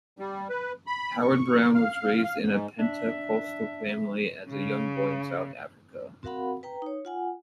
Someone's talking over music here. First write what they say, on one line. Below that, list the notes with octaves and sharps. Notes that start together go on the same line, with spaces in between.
Howard-Browne was raised in a Pentecostal family as a young boy in South Africa.
G3
B4
B5
C#6
F5
F5
G#2
D4 E5
C#3
C4 F#4 A#4 F5 F#5 B5
B4 G5 A#5
D#4 C#5
F4 F#5 G#5